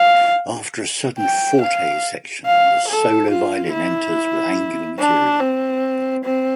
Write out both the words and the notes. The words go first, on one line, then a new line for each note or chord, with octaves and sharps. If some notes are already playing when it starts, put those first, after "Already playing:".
After a sudden forte section, the solo violin enters with angular material.
Already playing: F5
G5
F5
F5
A4
F4
E4
D4
C4
C4